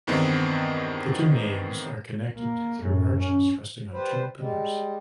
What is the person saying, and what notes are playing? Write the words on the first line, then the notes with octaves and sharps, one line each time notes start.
The two naves are connected through arches rested on two pillars.
E2 G2 D#3 E3 B3 C4
A#3
F#2 A2
C#4
G3 B4 C5
G3 G#3